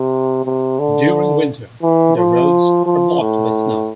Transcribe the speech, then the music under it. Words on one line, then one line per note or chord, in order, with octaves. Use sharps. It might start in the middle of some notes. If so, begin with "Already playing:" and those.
During winter, the roads are blocked by snow.
Already playing: C3
C3
D3
E3
F3
F3
A2